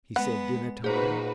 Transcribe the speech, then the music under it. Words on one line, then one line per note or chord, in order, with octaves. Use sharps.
'He said dinner-time.'
G#3 B3 F#5 B5
A#2 D#4 F#4 G#4 B4 C5